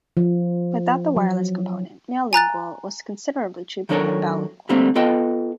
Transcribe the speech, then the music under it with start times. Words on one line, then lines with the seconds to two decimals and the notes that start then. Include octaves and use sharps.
Without the wireless component, Meowlingual was considerably cheaper than BowLingual.
0.17 F3
1.16 F#3
2.33 G#5 A#5 F#6 A6
3.89 D#3 F#3 D4 A4 A#4 C#5
4.69 D3 G3 A3 A#3 C4
4.95 B3 F4 A4 D#5 G5 A5